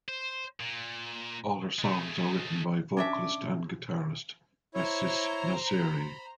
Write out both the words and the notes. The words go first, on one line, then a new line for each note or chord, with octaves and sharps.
All their songs are written by vocalist and guitarist, Asis Nasseri.
C5
A#2
G#3 A3
C#4 D4 E5 D6
E4 C5 C#5 A#5
B5